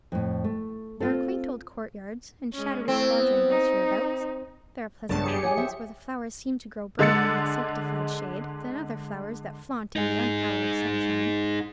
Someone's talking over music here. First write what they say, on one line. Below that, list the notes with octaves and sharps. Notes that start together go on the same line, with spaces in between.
There are quaint old courtyards, and shadowy quadrangles hereabouts; there are pleasant gardens, where the flowers seem to grow brighter in the sanctified shade than other flowers that flaunt in the unhallowed sunshine.
F2 A2
A3
C4 F4 A4
G#3 C#4
A3 C4 E4
B3
D#4
A#1 G2 C#3 B3 D4 A5
G4 G#4 C#7
C#5 F#5 G#5
C5 E5
D3 G#3 E6 A6 C#7
D#4 G#4